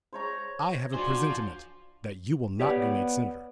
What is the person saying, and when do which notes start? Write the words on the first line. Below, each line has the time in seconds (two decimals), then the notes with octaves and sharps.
I have a presentiment that you will not be made senator.
0.13 C5 C#5 A#5
0.94 D4 F4 F#4 C5 G#5 C6
2.60 B3 G4 C#5 D5